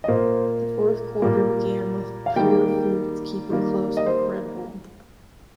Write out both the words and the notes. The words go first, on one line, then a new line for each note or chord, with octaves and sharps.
The fourth quarter began with Purefoods keeping close with Red Bull.
D#5
A#2 A#3 C5
A#2 G3 A#3
F5
D#3 G3 A#3 G5
D#3 G3 A#3
D#5
C5